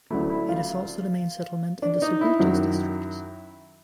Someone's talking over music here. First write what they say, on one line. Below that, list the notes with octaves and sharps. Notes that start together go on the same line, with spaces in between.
It is also the main settlement in the Zorritos District.
D2 C#3 F#3 A3 E4
E4
F4
D4
D#4
E4
F#2 D#3 F#3